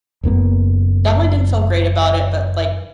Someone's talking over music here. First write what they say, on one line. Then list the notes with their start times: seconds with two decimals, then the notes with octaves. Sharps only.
definitely didn't feel great about it, but, like,
0.23 F#1 F#2 A#3 B3